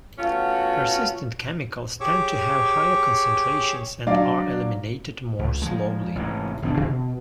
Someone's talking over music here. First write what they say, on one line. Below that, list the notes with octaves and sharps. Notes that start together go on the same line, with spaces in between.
Persistent chemicals tend to have higher concentrations and are eliminated more slowly.
A3 B3 C#4 F4 F#4
G4 G#4 C#5 C#6 D6 E6
F#3 D4 D5 F5
C#2
F3 F#3 G#3
A1 G#2 C3
G1 B2 B3 D4
B2